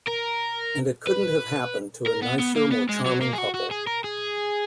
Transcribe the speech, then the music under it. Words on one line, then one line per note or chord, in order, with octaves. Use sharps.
And it couldn't have happened to a nicer, more charming couple.
A#4
B4
A#4
B3
B3
A#3
B3
G#3
F#3
A#3
G#4
F#4
F#4
G#4
A#4
G#4